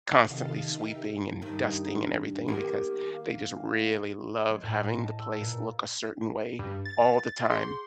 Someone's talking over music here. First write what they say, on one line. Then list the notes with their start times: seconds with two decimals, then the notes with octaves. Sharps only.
constantly sweeping and dusting and everything because they just really love having the place look a certain way all the time,
0.24 C3 D#3 A4 D#5 F5 A6
0.66 D#4 G4 A#4 E5
1.42 G2 D#3 D#4
2.48 D#3 A#3 B3 G4
3.14 F5
4.50 G#3
4.63 A2
4.76 D#5
5.00 A5
5.19 E6
5.40 A#2
6.59 G2
6.85 A6
7.51 G#4 C6